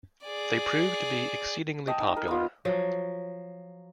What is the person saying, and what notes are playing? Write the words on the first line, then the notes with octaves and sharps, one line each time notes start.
They proved to be exceedingly popular.
G#4 D5
D#5 G5 A5
D#4
A#4
B3 F4
F3 F#3